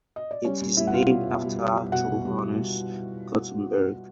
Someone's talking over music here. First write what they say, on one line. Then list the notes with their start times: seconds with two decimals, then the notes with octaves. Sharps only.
It is named after Johannes Gutenberg.
0.16 D#5
0.31 D5
0.45 G3 C#4 C#5
0.62 G3
0.77 G3 E4 E5
0.87 F#5
0.93 B2 F4 F5
1.11 G3
1.27 B2
1.43 G3
1.59 G3
1.76 G3
1.92 B2 F#4 F#5
2.08 B2
2.25 G3